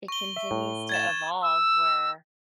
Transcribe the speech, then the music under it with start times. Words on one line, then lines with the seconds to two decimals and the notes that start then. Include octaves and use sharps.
it continues to evolve where
0.08 C#6 G7
0.36 E5
0.51 A2
0.89 G#6 A6 E7
1.42 E6